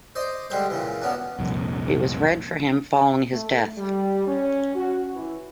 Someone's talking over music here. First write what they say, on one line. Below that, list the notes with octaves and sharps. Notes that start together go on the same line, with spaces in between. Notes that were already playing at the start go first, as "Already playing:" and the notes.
It was read for him following his death.
C5 D5 D#5
D3 G3 G#3 C5
A#2 C#3 E3
B2 B3 C#4 D4
C2 F2 A#2
A3
G3
C#4
F#4
E3